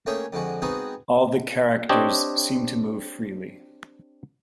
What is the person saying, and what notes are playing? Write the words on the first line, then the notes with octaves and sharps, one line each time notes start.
All the characters seem to move freely.
A3 A#3 C#4 G#4 C#5 G5
F2 D3 G#3 F#4
G#3 B3 C4 D#4 F#4 G#4
C4 D4 G4 C#5 D#5